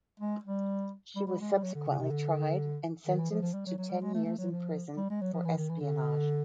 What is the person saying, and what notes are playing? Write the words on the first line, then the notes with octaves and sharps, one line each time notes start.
She was subsequently tried and sentenced to ten years in prison for espionage.
G#3
G3
G3
G3
G#3
G3
F#3
D3
C#3
C3
D3
D#3
E3
F3
F3
G3
F#3
F#3
G3
G#3
A3
A3
F#3
F3
G3
G#3
F#3
F3
E3
D#3
E3
D3